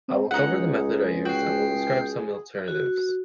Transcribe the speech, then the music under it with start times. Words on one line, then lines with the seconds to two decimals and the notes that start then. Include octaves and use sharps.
I will cover the method I use and will describe some alternatives.
0.08 C4
0.31 C#2 D#4 G#4 F#5
1.25 F#4 G5 C7
2.68 F#4